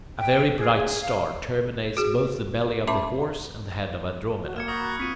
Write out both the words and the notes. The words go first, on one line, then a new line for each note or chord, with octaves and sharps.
A very bright star terminates both the belly of the Horse and the head of Andromeda.
G5
G#4
G#4
F5
F#4 G#4
C#4 E5 A5 C6 D6
F#4
A#3 F6 G#6 C#7 E7
F#4 A#5 B5 D#6 G6 A6
F#6
C4 F4 C#6 B6 D#7